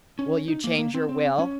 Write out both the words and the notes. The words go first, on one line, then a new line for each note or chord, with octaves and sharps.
"Will you change your will?"
C#4
D#4
A#3
A#3
C4
C4
C#4